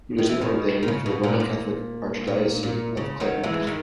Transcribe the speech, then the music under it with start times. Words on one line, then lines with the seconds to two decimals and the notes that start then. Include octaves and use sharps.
He was then ordained for the Roman Catholic Archdiocese of Clermont.
0.18 D#3
0.29 E3
0.41 B2 D#3
0.83 D#3
0.88 C#3
1.06 B2
1.23 A#2
1.40 A#2
2.27 A#2
2.63 A#2
2.97 C#3
3.20 D#3 F#3
3.43 E3 G#3
3.67 D#3